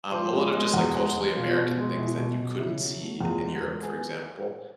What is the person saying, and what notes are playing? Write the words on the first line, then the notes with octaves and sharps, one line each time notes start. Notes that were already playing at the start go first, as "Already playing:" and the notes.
um, a lotta just, like, culturally American things that you couldn't see in Europe, for example,
F3 C5
G#3
G#3
E2 F#4
G#3
G#3
B2 F4
B2
G#3
B2 E4
B2
B2
C#3 E4
F#3
A3
E2 F4
G#3
F#4
G#3
B3 G#4